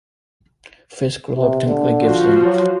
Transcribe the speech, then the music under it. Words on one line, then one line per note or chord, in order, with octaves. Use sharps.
Fiske reluctantly gives in.
C3
D3
F3 F4 F#4
F#3